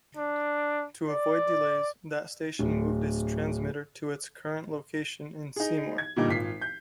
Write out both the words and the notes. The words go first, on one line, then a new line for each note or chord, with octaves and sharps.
To avoid delays, that station moved its transmitter to its current location in Seymour.
D4
D5
D1
D#4 G#4
G#6
A#2 D3 G3 A#3 D#4
G#1 F4 B6 C7
G6